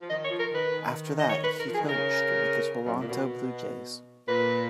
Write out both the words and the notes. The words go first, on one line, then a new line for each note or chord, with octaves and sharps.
After that he coached with the Toronto blue jays.
F3
D#3 D#5
C#5
F3
A#4
D#3 B4
D#3
D#5
C#5
B4
A#4
F3
G#4
D#3
C#3 A#4
F#2
G#2
A#2
B2
A#2 B4